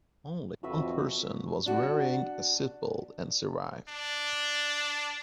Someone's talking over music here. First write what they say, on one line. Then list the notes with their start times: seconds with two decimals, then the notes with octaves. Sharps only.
Only one person was wearing a seatbelt and survived.
0.63 F2 F#4 B4 E5
1.66 D4 F#4
3.89 D4